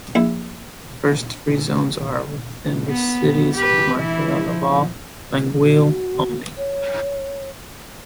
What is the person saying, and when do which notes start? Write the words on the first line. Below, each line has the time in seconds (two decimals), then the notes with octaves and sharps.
The first three zones are within the cities of Montreal, Laval and Longueuil only.
0.15 A#1 E4
2.88 B3
3.54 G4 B4
3.98 E3 E4
4.45 F3
5.63 F#4
6.58 C#5